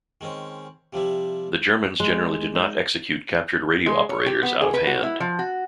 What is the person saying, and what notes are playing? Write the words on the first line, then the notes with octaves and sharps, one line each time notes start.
The Germans generally did not execute captured radio operators out of hand.
D#3 G#3 C4 C#4
C3 F3 G3 E4
G#3
D#4
G#3
C#5
G4
B3
G#4
B4
F#4
E4
F3
F#4